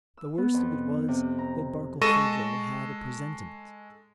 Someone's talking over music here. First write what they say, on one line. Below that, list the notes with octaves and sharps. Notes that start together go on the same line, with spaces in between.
The worst of it was that Barkilphedro had a presentiment.
E6
B3
F2
C3
A#5
G#3 A4 C#6 A#6 D#7 E7